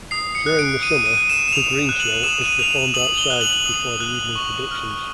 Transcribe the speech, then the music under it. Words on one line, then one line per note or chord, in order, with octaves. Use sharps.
During the summer The Greenshow is performed outside before the evening productions.
D#6 C7
C#7
F#6
D7
D#6 D#7
D#7
F#6
E7
E7
D#6 F7
F#6
F#7
D#6 E7
D#7
F#6 F7
F#7
D#6 F#7
G7
F#6
F#7
D#6
F#6
C#6
F6